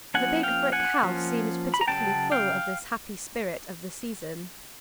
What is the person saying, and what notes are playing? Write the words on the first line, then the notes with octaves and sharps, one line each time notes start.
The Big Brick House seemed particularly full of this happy spirit of the season.
F3 A#3 C#4 F#5 G#5
F5 G5
F#5 G#5
F3 A#3 C#4
B5
A#5
C#3 F#3 A#3 C#4 G5 A5
F5 G5